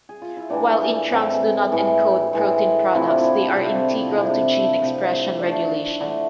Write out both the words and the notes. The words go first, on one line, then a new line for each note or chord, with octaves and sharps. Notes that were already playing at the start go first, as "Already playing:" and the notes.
While introns do not encode protein products, they are integral to gene expression regulation.
G#4
F4
E4
A2 E3 G#3 D4
A2 E3 G#3 C4
A2 E3 G#3
A2 E3 G#3
C3 F3 A3 E4
D4
E4
C3 F3 A3
C3 F3 A3 E4
D4
E4
C3 F3 A3
D3 A3 D4
D3 A3